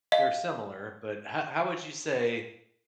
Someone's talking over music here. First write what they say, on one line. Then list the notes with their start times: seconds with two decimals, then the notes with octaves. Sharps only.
They're similar, but ho how would you say
0.12 D#5 F5